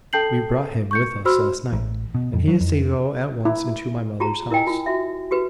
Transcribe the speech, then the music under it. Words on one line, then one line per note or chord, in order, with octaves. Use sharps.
We brought him with us last night; and he is to go at once into my mother's house.
A4 G5 A5 G6 C7 F#7
C#6 G6 C#7
F#4 C5 B5 C6 E6 F6
A1
B2
F2
F#3
F2
E4
F4 G4 A5 A#5
E4 A#4 D#5 G5 G#5
F4
F#4 E5
F#4 G4 B4